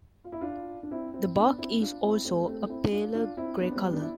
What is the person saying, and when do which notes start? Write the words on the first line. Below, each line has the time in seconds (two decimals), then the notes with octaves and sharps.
The bark is also a paler gray color.
0.24 F4
0.32 E4
0.41 D4 F4
0.83 D4
0.91 C4 E4
1.14 C4 E4
1.35 B3 D4
1.58 C4 E4
1.80 D4 F4
2.03 C4 E4
2.25 A3 C4
2.48 A3 C4
2.69 C4 E4
2.92 D4 F4
3.15 D4 F4
3.37 C4 E4
3.60 B3 D4
3.72 C4
3.76 G3 B3
3.93 B3 D4
4.02 E4